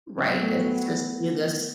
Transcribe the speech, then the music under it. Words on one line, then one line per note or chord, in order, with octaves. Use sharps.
Right. It's just, "Do this"
F#3 C4
B3
A3
B3